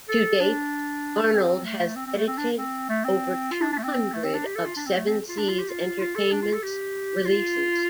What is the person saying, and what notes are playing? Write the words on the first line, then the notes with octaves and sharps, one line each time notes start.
To date, Arnold has edited over two hundred of Seven Seas Entertainment's releases.
A4
D4
C4
A3
C4
C4
A3
C4
D4
C4
A3
C4
F4
D4
D4
A3
C4
A3
C4
D4
G4
A4
F4
D4
C4
A3
C4
F4
D4
F4
G4
F4
F4
A4
D4
F4
A4
G4
F4